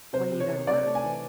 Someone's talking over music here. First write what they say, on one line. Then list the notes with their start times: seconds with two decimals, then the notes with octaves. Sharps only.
when you go to work,
0.13 C3 C5
0.32 C3
0.40 C#5
0.49 C3
0.67 C3 D5
0.86 A3
0.95 G#5
1.03 E3